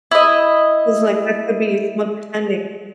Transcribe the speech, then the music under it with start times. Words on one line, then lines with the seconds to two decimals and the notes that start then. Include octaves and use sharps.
'Cause like that could be someone pretending.
0.11 E4 D#5